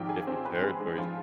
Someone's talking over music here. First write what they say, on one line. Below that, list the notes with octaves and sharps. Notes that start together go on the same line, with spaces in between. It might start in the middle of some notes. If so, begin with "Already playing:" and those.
different territories.
Already playing: G#1 G#2 F3 G4 G5
G#4 G#5
C4 C5
B3 B4
G#3 G#4
G#3 G#4
F3 F4